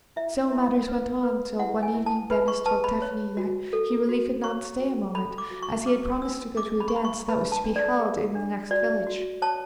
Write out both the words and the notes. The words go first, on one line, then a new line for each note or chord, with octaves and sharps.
So matters went on till one evening Denis told Tephany that he really could not stay a moment, as he had promised to go to a dance that was to be held in the next village.
E4 E5
E4
B4
B4
E4 F#5
G#5
E4
A5
B4 B5
C#6
B4 A5
B5
C#5
F#4
A4
F#4
C#5 C#6
F#4
A4 B5
D6
F#4
C#6
B4 D6
D4 E6
G#4 D6
B5
C#6
D4 B5
C#6
B4 B5
A5
D4
D5
G#4
D4
F#4 D5
F#4
C#5 A5